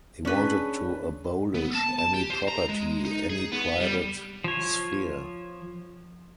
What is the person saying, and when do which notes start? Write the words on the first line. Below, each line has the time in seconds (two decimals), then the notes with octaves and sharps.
He wanted to abolish any property, any private sphere.
0.25 C#4 D4 G#4 B4
1.55 B3
1.75 A5
1.99 A5
2.14 G4
2.30 C5
2.48 A#5
2.69 G#3
3.05 D#4
3.30 G#4
3.52 B3
3.80 G3
4.44 F3 C#5